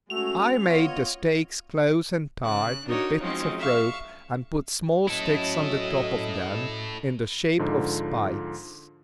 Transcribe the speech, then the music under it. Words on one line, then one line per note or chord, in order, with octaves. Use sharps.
I made the stakes close and tight with bits of rope; and put small sticks on the top of them in the shape of spikes.
G#3 A3 C#4 F#4 F7
B3 F4 C#5 D#5
C#3 F#6
D4 D#4 F#4 A#4 C#5
F3 F#3 G#3 C4 C#4 D#4
E5 F5 C#6 E6
F#3 C#4 E4 A4 D#5
G#2 D3 F3